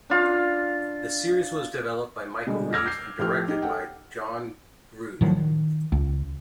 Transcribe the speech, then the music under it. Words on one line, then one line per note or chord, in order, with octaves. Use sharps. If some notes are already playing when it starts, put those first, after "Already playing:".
The series was developed by Michael Reaves and directed by John Grusd.
D4 F4 F5
B2 D3 G3 G#3 B3
D6 E6 F6 G#6 A#6
G6 C7
A2 F3 G4 F6
D#4 G4
A4 F#5 G5
A2 D#3 F3 F#3
D#3
C#2